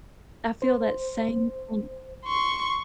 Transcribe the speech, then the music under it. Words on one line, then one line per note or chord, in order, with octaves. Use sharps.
I feel that same thin
C5
C6 C#6